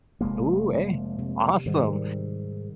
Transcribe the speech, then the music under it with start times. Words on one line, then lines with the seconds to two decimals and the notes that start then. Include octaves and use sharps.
Ooh, hey. Awesome.
0.21 F1 G#3 A#3
1.19 C3
1.66 G#2 D#3 G3